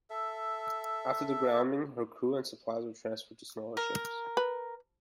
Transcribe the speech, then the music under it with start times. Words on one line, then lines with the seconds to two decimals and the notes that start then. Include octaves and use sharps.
After the grounding her crew and supplies were transferred to smaller ships.
0.10 A4 E5
3.77 A#4
4.37 B4